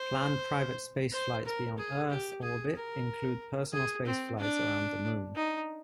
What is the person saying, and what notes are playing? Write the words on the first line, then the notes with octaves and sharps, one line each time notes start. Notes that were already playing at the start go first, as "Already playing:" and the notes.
Planned private spaceflights beyond Earth orbit include personal spaceflights around the Moon.
Already playing: C5
C5
A#4
G#4
G4
G#4
A#4
G#4
C4
D4
D#4